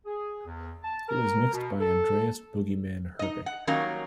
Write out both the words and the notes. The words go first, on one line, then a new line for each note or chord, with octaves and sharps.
It was mixed by Andreas "Boogieman" Herbig.
G#4
E2
A5
A#4
B2
A4
D#4 D#5
F#5
D#3 F#3 G3 A#3 C#4 D#4